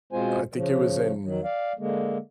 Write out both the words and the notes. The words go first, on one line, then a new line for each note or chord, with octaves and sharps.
I think it was in
B2 G#3 C4 F4 C5 G#5
C#3 F3
D#3 F#3
D5 F5
D3 G#3 A#3